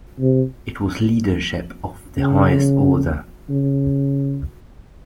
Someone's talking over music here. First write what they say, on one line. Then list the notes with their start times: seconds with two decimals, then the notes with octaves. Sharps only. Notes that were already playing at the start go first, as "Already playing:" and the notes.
It was leadership of the highest order.
0.20 C3
2.18 C#3
3.49 C#3